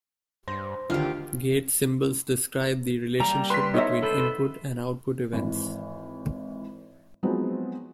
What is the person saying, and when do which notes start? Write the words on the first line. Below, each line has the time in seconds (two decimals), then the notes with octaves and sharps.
Gate symbols describe the relationship between input and output events.
0.48 G2 C5 A#6
0.90 D2 D3 D#3 F4 G4 F6
3.20 G3 A#3 G4 A#5
3.50 B4 C6 B6
3.74 B3 D#4 C#5 E5
4.02 B3 A4 B4 C5
5.33 G#1 E3
7.23 F3 F#3 G#3 B3 C4 D#4